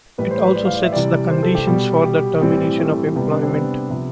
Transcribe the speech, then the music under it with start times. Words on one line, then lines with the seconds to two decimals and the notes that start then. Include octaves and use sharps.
It also sets the conditions for the termination of employment.
0.18 A2 E3 G3 B4
0.31 C5
0.43 B4
0.55 D5
0.65 F5
0.74 D5
0.83 E5
0.92 C3 E3 G3 D5
1.30 C5
1.43 A4
1.55 G4
1.67 B2 G3
2.04 G4
2.41 A2 E3 G3 C4
2.78 A3
3.16 C3 G3 B3
3.31 D4
3.43 C4
3.54 B3
3.90 C3 F3